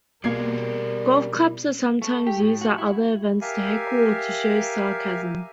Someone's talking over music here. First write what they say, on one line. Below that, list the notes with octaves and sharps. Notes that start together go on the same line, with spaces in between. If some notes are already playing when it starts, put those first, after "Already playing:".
Golf claps are sometimes used at other events to heckle or to show sarcasm.
B2 G3 A#3 G#4 A#4 G#6 C7
A3
G4
A2
F#4
E4
G4 A#4 E5 F5 G#5